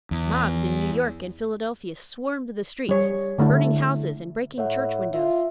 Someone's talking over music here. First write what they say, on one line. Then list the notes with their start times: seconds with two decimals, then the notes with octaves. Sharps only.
Mobs in New York and Philadelphia swarmed the streets, burning houses and breaking church windows.
0.11 E2
2.89 G3 C#5
3.38 D3 A3 D4 E4 A4
4.58 A2 C#5 E5 F#5
5.14 F4 E5